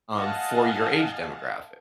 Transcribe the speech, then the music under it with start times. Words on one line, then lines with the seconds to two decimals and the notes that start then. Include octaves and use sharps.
um, for your age demographic.
0.17 D#5 F5 F#5 G#5 A5